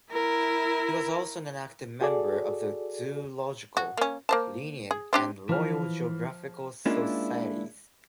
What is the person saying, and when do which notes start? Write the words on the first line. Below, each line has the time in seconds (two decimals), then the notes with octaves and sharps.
He was also an active member of the Zoological, Linnean and Royal Geographical Societies.
0.11 E4 A#4
2.01 F#4 G#4 A4 D5
3.77 F#4
3.97 A#3 C#4
4.29 A#3 C5 A5
4.91 G#4
5.13 C4 D4 G4
5.49 E3 F3 F6
6.86 G#3 A#3 C#4 D4 E4 F4